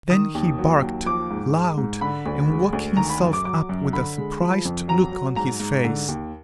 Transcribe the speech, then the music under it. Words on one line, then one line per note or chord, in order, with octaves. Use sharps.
Then he barked, loud, and woke himself up with a surprised look on his face.
D#3 D#6
D#2
F#3
D#2
F3 D6
G#2
G#3
G#2
D3 B5
D2
G#3
D2
D#3 A#5
B5
F#2
D6
F#3 D6
F#2
D3 B5
G#3
F3
F2
F#3 A#5
F#3
G#2 A#5
G#2
D3
D#2